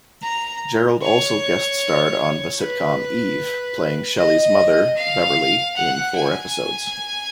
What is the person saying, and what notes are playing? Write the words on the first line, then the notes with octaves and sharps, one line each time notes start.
Jerald also guest-starred on the sitcom "Eve", playing Shelly's mother Beverly in four episodes.
A#5
C#5
B4
D#5
F5
F#5
G#5